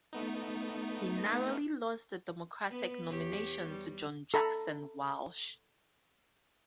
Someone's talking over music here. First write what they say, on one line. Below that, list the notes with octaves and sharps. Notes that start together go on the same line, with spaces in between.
He narrowly lost the Democratic nomination to John Jackson Walsh.
A3 B3 D#4
B3 B4
E2 G4 C#5
G3
A4 A#5 B5